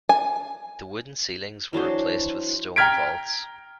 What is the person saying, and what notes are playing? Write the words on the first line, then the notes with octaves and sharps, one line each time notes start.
The wooden ceilings were replaced with stone vaults.
G#5
E3 F#3 D4 C5
G5 A#5 F6 G#6 B6 D7